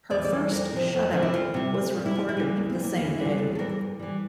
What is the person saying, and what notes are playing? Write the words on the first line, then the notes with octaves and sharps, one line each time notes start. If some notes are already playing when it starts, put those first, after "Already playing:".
Her first shutout was recorded the same day.
E2 D5
D5
E3 G3
F2 A#4
C3 F3
F2
C3 F3
E4
D2 F4
C3 G3
D2
C3 G3
E4
E2 F4
E4
E3 G3
E2 A#3
C4
E3 G3
A#3
E2 A#3
E4
E3 G3
F4
E2 A4
A4
E3 G3 A#4
G2
E3 G3